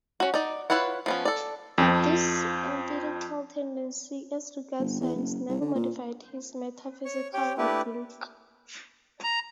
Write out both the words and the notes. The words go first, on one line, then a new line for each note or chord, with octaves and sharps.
But this empirical tendency as regards science never modified his metaphysical outlook.
C#4 F#4
D#4 D5
E4 F4 B4 C#5 F#5
F3 B3 C#4
A4 D5
F2 F3
G1
E2
F#1
C2
D3
A#2
C#5 C#6
G4 C#5 G5
A3 D4 E4 G4 B4
A#5